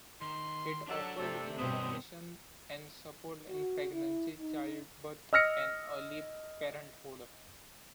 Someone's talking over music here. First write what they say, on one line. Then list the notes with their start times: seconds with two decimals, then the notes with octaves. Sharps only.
It offers information and support in pregnancy, childbirth and early parenthood.
0.21 D#3 C6
0.88 F#3 D4 G4 A4 D5
1.19 C3 A3 A4
1.59 G2 B2 C4 D4 B4 C#5 D#6
3.49 F#4
3.93 E4
4.40 D#4
5.33 D#5 E6 F6 A#6 C#7